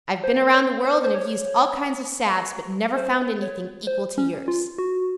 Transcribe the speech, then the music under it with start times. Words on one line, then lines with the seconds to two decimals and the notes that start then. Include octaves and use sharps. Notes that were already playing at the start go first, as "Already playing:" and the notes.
I have been around the world and have used all kinds of salves, but never found anything equal to yours.
0.24 C5
0.42 C5
0.54 C#5
0.85 C5
1.04 C5
1.15 C#5
2.97 C5
3.42 C#5
3.87 C5
4.18 C#4
4.48 F4
4.78 F#4